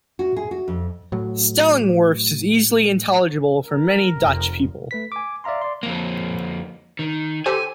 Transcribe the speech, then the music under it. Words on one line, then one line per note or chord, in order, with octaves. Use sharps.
Stellingwarfs is easily intelligible for many Dutch people.
F#4
G#4
F#4
F2
A2 F#3
A#4
F1 F2
A3 B4 B6
G#5 D6
D5 E5 F5 A#5 C6
D5 C6
F2 A#3
D#3
G4 A4 C5 G#5